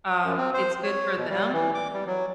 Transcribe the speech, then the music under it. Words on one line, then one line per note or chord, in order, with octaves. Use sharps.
um, it's good for them.
F#2
C4
C5
C#5
B2
G3
E3
D6
G3
F#3